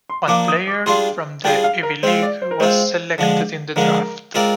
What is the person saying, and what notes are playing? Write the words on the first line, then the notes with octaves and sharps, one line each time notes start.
One player from the Ivy League was selected in the draft.
C6
F3 A#3 D4 D6
D#6
D6
G3 D4 F4 G#4 C6
G3 D4 F4 G#4 G5
F5
A#4
G#3 C4 F4 C5
D5
C5
A#4
G#3 C4 F4 C5
D3 F3 G#3 D4
D3 F3 G#3 D4 A#4
G#3 C4 F4 A#4 D5